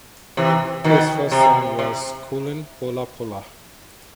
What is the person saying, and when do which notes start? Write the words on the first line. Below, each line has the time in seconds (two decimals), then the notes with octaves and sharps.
His first song was "Kullen Pola Pola".
0.37 C3 E3
0.84 B2 D#3
1.32 C3
1.79 C3